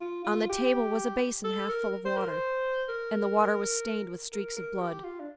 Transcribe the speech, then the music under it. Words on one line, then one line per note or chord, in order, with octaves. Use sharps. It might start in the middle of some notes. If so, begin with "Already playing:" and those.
On the table was a basin half full of water, and the water was stained with streaks of blood.
F4
F4
G4
A4
A#4
C5
A#4
C5
A#4
A#4
A#4
G4
F4
D4